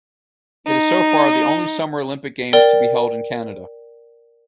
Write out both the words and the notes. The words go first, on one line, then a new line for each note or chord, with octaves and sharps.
It is so far the only Summer Olympic Games to be held in Canada.
D#4
A#4 D5 G5